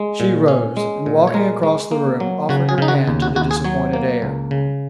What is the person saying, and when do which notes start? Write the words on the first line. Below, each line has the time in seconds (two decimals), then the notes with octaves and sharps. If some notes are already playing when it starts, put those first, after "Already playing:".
She rose, and walking across the room, offered her hand to the disappointed heir.
Already playing: G#3
0.20 A#2
0.48 C#4
0.77 G#3
1.06 A#2
1.27 C#5
1.34 G#3 A#4
1.63 G#3
1.91 A#3
2.20 F#3
2.49 C#3 F#4
2.69 G#4
2.78 C#3 D#4
2.88 F#4
3.07 D#2
3.22 F#4
3.36 D#2 F#4
3.51 G#4
3.64 F#3 C#5
3.93 A#3
4.22 C#2
4.51 C#3